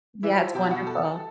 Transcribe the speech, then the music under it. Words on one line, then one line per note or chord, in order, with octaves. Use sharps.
Yeah, it's wonderful.
E3 E4 E5
F#3
F3
B2 G4 G5
F#4 F#5
A4 A5